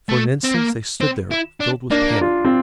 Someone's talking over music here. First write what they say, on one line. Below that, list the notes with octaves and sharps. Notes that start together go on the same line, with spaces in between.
For an instant they stood there, filled with panic.
A3
C4
A#3
C4
E4
D4
A#3 D4
F4
C4